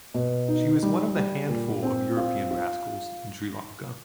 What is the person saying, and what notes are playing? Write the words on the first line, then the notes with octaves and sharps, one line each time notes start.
She was one of the handful of European Radicals in Sri Lanka.
B2
D#4
G3
G3
A#2
C4
F4
F4